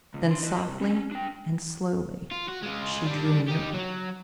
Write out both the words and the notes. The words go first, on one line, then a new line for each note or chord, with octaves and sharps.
Then, softly and slowly, she drew nearer.
C#2
D4 C6
B4 D#5
C2
C4 C#4
D4 G5
F4
F#4
G#3 F4
G3 D4
D#4 G4
F#3